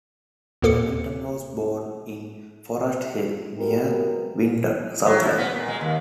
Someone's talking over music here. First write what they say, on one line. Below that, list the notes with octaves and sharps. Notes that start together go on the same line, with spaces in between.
Hamilton was born in Forest Hill, near Winton, Southland.
D#2 A#2 A#3 A4 D6 C#7
F#3 G#3 B3 G4 A#4
F#3
F3
B3
A#2
G#3
D#2